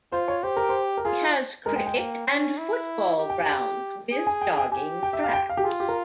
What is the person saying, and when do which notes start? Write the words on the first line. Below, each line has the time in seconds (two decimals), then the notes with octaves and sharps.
It has cricket and football grounds with jogging tracks.
0.12 F4 C5
0.28 C#5
0.43 G4 C5
0.57 A#4
0.69 C5
0.97 A#4
1.05 F4 G#4
1.66 G#3 A#4
1.76 G5
1.86 G5
1.97 A#3 G5
2.27 C#4
2.57 E4
3.19 G4
3.30 G5
3.40 G#5
3.50 G5
4.12 G#4
4.27 G#5
4.41 G5
4.57 G5
4.72 G4 G#5
5.03 G5
5.13 E5
5.24 F5
5.33 G5
5.49 F5
5.57 G4
5.64 F4 G#4
5.80 G4
5.88 A#4